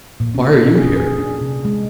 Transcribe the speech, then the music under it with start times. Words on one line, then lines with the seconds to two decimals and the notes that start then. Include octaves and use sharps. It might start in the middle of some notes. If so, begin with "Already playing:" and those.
"Why are you here?"
0.20 A#2
0.34 C#4
0.75 G#4
0.96 G#4
1.18 D4
1.41 C3
1.65 G#3